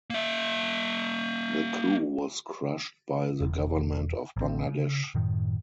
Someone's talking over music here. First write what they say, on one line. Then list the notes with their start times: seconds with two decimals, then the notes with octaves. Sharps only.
The coup was crushed by the government of Bangladesh.
0.10 A#3 E5
3.41 E1
4.37 A1 C4
4.67 C#3
5.15 F#2 A2 D#3